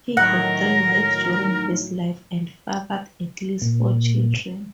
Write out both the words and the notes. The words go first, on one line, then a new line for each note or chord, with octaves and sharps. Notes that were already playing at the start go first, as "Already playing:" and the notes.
He had three wives during his life and fathered at least four children.
A2 D#3 F#3 A#4 F#5 A#6
A#2